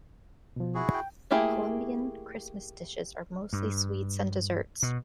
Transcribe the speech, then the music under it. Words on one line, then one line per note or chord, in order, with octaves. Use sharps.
Colombian Christmas dishes are mostly sweets and desserts.
B2 F3
E4 F#4 G#4
G5
A3 A#3 E4 G4 G#4
G2
B2